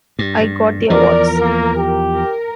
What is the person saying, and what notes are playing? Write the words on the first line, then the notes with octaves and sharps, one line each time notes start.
I got the awards.
G2
E2 F3 A#4 D5
A#3
G4
A#4